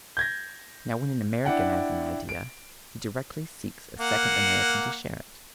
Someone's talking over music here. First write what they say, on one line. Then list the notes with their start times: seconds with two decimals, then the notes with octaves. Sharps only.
Now when an American has an idea, he directly seeks a second American to share it.
0.17 G6 G#6 A#6
1.45 D4 E4 F#5 G5
2.29 D7
4.00 A#3 F#5